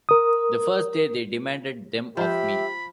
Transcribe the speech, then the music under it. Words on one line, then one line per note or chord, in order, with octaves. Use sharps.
The first day they demanded them of me.
A#4 D#6
F3 G4 C5 E5 B5